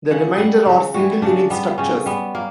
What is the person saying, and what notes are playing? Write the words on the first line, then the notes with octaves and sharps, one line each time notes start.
The remainder are single-unit structures.
C#3 F#5
G3 F#5
C#3
E3 G3 F#4
C#3 D4
G3 B3
C#3 C#4
G3 B3
A#3